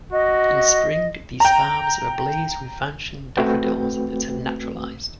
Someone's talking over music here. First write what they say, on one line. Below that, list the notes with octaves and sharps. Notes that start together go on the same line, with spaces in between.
In spring, these farms are ablaze with Vansion daffodils that have naturalised.
F#4 D#5
G5 A#5
A3 C4 F#4 B4 G5